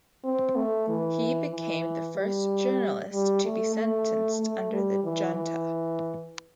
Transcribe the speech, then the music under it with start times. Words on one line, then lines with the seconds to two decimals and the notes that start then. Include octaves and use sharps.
He became the first journalist to be sentenced under the junta.
0.24 C4
0.56 A3
0.88 E3
1.52 E3
2.16 G3
3.12 G3
3.44 A3
3.76 A3
4.40 A3
4.72 G3
5.04 E3
5.36 E3